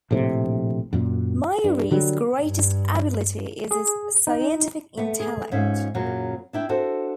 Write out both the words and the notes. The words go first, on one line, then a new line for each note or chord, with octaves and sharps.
Mayuri's greatest ability is his scientific intellect.
A#1 A2 C3
F#2 A#2
G2
D3 F#3 G3
G2
G#4
D#4
A3 B3
G#4
G#2 C#4 F4 E5
F#2 A#2 C#3 F#3
D4 E4 G5
D4 F#4 A4 C5